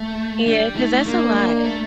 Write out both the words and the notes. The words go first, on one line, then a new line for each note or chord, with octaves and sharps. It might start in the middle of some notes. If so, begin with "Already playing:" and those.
Yeah, 'cause that's a lot.
Already playing: A3
G3 D4
A3 D#4
A#3 D4
A#3
A3